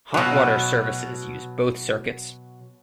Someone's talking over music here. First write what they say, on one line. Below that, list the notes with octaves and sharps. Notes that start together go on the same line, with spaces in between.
Hot water services use both circuits.
B2 F#3